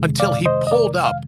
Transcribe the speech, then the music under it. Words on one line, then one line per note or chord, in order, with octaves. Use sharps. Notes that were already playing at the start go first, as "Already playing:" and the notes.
until he pulled up?
Already playing: F2 C3 D#3 G#3
D5 F5
C5 D#5
D#5
A#4 D5
F5